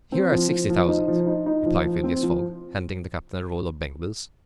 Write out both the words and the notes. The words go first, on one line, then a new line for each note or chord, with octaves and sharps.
"Here are sixty thousand," replied Phileas Fogg, handing the captain a roll of bank-bills.
C4
F3
F3
F3
D#4
F3
D#4
D#4
F3
F3
C4
F3